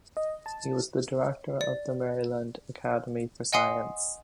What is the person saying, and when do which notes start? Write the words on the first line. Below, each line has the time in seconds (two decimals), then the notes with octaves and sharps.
He was the director of the Maryland Academy of Science.
0.17 D#5
0.46 A5
1.61 D5
3.53 D#5 F#5 G#5 C6 D#6 C7